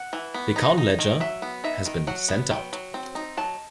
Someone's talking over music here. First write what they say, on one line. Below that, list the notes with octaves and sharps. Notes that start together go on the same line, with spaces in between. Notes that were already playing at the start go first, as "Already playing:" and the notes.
The account ledger has been sent out.
Already playing: F#5
E3
B3
D#4
D#4
D#3
F#3 E5
B3
D#4 E5
D#3
F#3 F#5
B3
F#3 G5
F#3
C4
D#4
F#3 A5